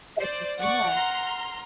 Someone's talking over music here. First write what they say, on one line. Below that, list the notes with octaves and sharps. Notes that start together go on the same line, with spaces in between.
That's just Yeah.
C5 D5
D5 F#5 C#6
A#5 C6 F6